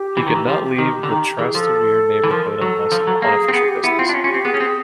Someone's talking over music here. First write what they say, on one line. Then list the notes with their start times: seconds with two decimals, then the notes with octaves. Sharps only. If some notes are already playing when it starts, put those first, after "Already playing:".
He could not leave the Trastevere neighborhood unless on official business.
Already playing: G4
0.17 E3
0.26 D#3
0.35 E3
0.47 F3 G4
0.63 G4
0.78 D#3
1.03 D3
1.09 D#3
1.39 E3 G#4
1.54 F3 A4
2.24 E3
2.31 F3 A#4
2.46 A4
2.61 F#3
2.92 F3
3.07 F#3
3.22 A#3 G#4
3.48 C4
3.53 B3 G#4
3.68 G4
3.83 B3 E4
3.99 C4 F4
4.09 D4
4.13 C#4 F4
4.24 C#4
4.29 C4 G4
4.45 B3 G#4
4.54 C#4
4.60 C4